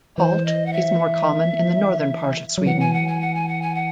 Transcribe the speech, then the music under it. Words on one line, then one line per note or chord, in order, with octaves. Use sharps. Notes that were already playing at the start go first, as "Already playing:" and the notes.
Palt is more common in the northern part of Sweden.
E3 C5
D#5
F#5
E5
F#3
E3 F#5
G#5
F#5
G#5
F#5
G#5
F#5
G#5
F#5